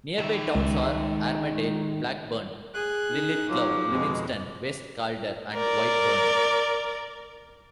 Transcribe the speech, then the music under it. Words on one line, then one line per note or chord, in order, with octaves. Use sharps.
Nearby towns are Armadale, Blackburn, Linlithgow, Livingston, West Calder and Whitburn.
D#3 E5
C#2 G#3
G#4 F#6
D#4
F3 F#3 D6
F2 B2 G#3 C4
A#4 D5